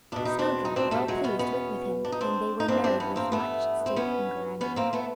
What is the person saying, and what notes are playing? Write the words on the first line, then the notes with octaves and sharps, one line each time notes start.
Snowdrop, well pleased, went with him, and they were married with much state and grandeur.
E2 B2 D4
D#4
C4 D4
D#4
C4 D4
G3 A3
F#3 G#3
B3 C#4
B3 C#4
D4
D#4
C4 D4
D#4
G2 E3 C4 D4
C4 D4
B3 C#4
A#3 C4
A3 B3
C4
B3 C#4
B3 C#4
A#3 C4
A3 B3